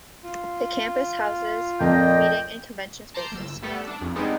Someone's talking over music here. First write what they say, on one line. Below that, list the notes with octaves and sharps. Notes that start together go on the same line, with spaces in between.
The campus houses meeting and convention spaces.
F4
F2 A#2 D#5 G5
A5 A#5 C6 D6 G6
G1 E6
G3 A3 B3 A4
D4
F2
G3 G#3 B3 C4 D4 D#4